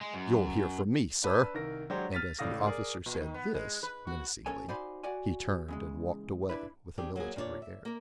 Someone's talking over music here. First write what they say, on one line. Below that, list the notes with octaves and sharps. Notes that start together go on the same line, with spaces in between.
"You'll hear from me, sir." And as the officer said this, menacingly, he turned and walked away with a military air.
G#3
F#2
D4 B4 A5 E6
C2 D#3 A#4 A#6
F#3 G#3 D4 G4 C5 C#5
F6 A6 B6 D#7
C#2 A2 D5 F5 D#6 A#6
G#4 A#4 D5
A#2
D#3
B3
G#3
B4
F#4
C#4 A4 A#4 C#5 G#5
D#4 F#4 C5 D5 G#5 B5
F#4 D5 F#5 G#5
E2 C#3 G#3
D4 E4 B4
C4 D4 G4 G#4
F#3 A#3 B3 G#4
A#2 D4 D#4 C#5 D5
E5
A#3 A#4